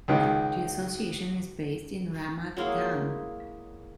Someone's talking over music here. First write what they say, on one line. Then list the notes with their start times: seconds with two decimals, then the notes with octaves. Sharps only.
The association is based in Ramat Gan.
0.08 C#2 D#3
2.57 F#3 G#3 A#3 E4